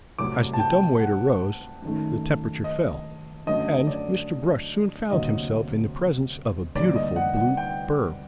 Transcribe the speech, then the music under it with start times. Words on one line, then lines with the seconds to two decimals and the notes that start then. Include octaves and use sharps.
As the dumb-waiter rose, the temperature fell, and Mr. Brush soon found himself in the presence of a beautiful blue berg.
0.19 C2 C3 F#3 A3 D6
0.53 A5
0.59 G5
1.00 F#5
1.82 F#2 D#3 A3
2.64 D#5
3.46 F#2 D3 F#3 A3 D#5
3.87 D5
5.11 D2 C3 F#3 A#3 D#5
6.75 D2 C3 G3 A#3 D5
6.96 D#5
7.16 F#5
7.37 F#5
7.57 G5